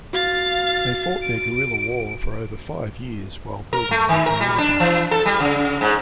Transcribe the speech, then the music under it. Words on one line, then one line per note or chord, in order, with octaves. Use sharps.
They fought their guerrilla war for over five years while building their community.
F#4 F5 A6
D7
A#4
A3
D#3
A#4
G3
D4
E3
A4
G3
C#3
G#2